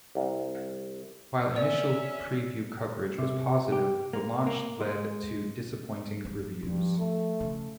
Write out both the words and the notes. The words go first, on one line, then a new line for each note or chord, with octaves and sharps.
While initial preview coverage was positive the launch lead to disappointing reviews.
C2
C#5 D5 E5 G#5
C3
G4
A#3
A#3
G#3
A#3
G2 F3
A3
C#3